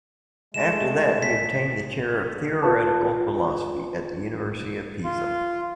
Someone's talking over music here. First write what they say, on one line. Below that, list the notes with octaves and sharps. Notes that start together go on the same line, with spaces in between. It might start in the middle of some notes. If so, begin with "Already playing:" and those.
After that, he obtained the chair of theoretical philosophy at the University of Pisa.
G#3 A3 E7
B6
F4 B4 A5
F4